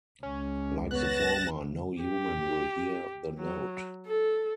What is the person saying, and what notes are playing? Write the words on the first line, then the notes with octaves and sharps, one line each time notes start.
Like the former, no human will hear the note.
C#2 C#4
B3 C#5 F#6 A6 A#6 E7
G4
F#3
A4